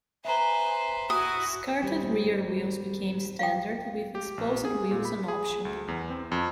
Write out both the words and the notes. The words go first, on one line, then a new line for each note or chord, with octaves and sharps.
Skirted rear wheels became standard, with exposed wheels an option.
B4 C5 E5 G#5 A#5
E4 F#4 G#5 D#6
D#3 G3 C4
F5 G5
G4
A#1
G#4
A#2
B5
G#4
D2
E2
C4
F2